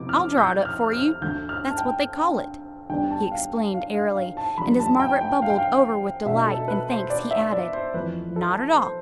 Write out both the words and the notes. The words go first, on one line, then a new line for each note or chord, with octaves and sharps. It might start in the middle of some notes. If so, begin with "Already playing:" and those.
I'll draw it up for you--that's what they call it," he explained airily; and as Margaret bubbled over with delight and thanks he added: "Not at all.
Already playing: F2 C3 F3 B3 E4 D6
F6
G6
F6
F6
D2 D3 A3 G6
F6
A5
G5
D2 D3 G3 B3 D4 G5
A5
F5
F5
F5
F5
A5
F2 D3 G3 B5
A5
G5
G5
F5
G5
F5
B2 A3 D4 E5
A4
B4
C5
D5
E5
D5
C5
F2 E3 A3 B4
A4
C5